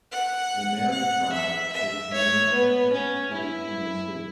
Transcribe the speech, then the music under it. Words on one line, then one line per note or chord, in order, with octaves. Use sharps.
The Marri tribe is main ethnic group in the city.
F#5
F#5
E5
E5
C#5
B3
C#4
E4